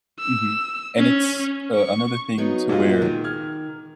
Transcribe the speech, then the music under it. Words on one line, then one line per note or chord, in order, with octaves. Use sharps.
Mhm, and it's, uh, another thing to where,
E6
C#4
C#6
F#3 B3 D#4
A#2 G#3 F4
D#3
F6 G#6